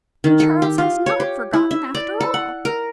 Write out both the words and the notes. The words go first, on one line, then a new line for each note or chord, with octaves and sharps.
'Then Charles has not forgotten, after all.'
D#3
A4
G4
F4
C#5
G4
E4
E5
D5
A4
F#5
A#4